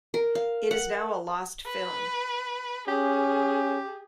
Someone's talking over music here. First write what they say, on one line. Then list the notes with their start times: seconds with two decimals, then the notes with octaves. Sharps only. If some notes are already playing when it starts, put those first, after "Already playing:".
It is now a lost film.
0.14 A#4
0.35 F5
0.71 F#5
1.66 B4
2.88 C#4 G4 G#4